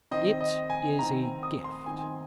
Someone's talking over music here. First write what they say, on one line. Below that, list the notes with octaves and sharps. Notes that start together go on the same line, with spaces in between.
It is a gift....
D#3 C4 D#5
D#5
G#5
D#3 C4 A#5
D#6
C6
D#3 C4 G#5